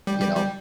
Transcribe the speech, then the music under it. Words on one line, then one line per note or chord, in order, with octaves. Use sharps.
you know,
G3
G3
G3